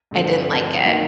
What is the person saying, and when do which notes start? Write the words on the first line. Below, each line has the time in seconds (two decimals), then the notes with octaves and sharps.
I didn't like it.
0.11 G2 D3 F3 A3 C4
0.48 D3 F3 A3 C4
0.85 D#3 F#3 A#3 D#4